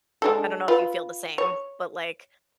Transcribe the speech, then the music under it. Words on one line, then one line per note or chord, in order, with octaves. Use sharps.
I don't know if you feel the same, but, like,
G#3 D4 A4
F4 B4
C#5